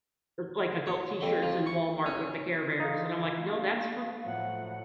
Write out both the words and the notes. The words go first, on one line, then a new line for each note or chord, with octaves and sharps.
like, adult t-shirts in Walmart with the Care Bears, and I'm like, "No, that's for
C#5
F2
F3
C#6
C#4
E3 D#4 F4 F5
A3 D4
A2 F3 F#3 A3 F#5